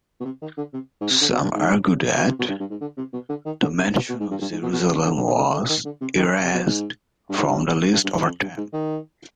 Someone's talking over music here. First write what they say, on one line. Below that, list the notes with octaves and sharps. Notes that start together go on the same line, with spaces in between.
Some argue that the mention of Jerusalem was erased from the list over time.
B2
C3
D#3
D3
C3
G#2
C3
D3
B2
G2
G#2
B2
C3
B2
G2
G2
G#2
D3
C3
B2
D3
D#3
D3
C3
B2
B2
G#2
G2
G2
G#2
B2
B2
C3
D3
D3
D#3
D3
D3
D#3
D3
C3
D#3
C3
B2
G#2
G2
G#2
G2
G2
G2
G#2
F2
G2
G#2
D#3